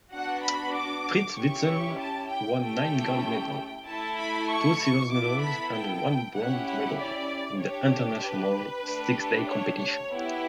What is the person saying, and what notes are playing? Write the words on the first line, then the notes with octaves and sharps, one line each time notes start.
Fritz Witzel won nine gold medals, two silver medals and one bronze medal in the international six-day competition.
B3 D4 F#4 F#5
B5
D6
C#4 E4 G4 C#6
A5
G5
A3 C#4 E4 G4 G5
A3 E4 A4 A5
B5
C#6
B3 E4 A4 D6
B5
G5
C#4 E4 G4 F#5
F#5
D5
D4 G4 C#5
B4
A3 D4 G4
C#5
C#5
B3 E4 G4